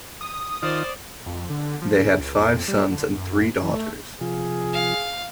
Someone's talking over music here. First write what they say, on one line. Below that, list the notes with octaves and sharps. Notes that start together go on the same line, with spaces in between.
They had five sons and three daughters.
D#6
D#3 F4 C5 D5
F2
D3
F3
C#3
C#2
F2
G3
D3
F#2
E3
A3
C3 F3 F4 G#4
F5